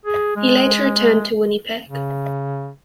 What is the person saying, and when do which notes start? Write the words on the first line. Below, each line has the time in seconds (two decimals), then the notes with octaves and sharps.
He later returned to Winnipeg.
0.06 G#4
0.36 G#3
1.89 C#3